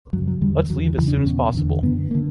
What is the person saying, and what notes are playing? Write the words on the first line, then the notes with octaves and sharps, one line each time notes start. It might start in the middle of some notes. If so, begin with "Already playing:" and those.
Let’s leave as soon as possible!
F#2 C#3 F#3
F#3
E2 D3 G3
E2 D3 F#3
E3
E2 C#3 E3
D4
C#4
E2 B2
E2 D3
F#2 D3 B3
A#3
D3